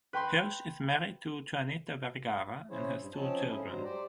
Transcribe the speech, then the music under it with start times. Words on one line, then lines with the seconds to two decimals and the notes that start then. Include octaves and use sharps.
Hirsch is married to Juanita Vergara and has two children.
0.13 B4 G5 B5 C6
2.71 C#4 E4 G#4 C5 C#5
2.96 G2
3.14 F3 C4 C#4 D#4 C#5 A5
3.47 A2 C#4 E4 G#4
3.66 G2 F#3 G#3 C5 A#5
3.84 G4 C5 D5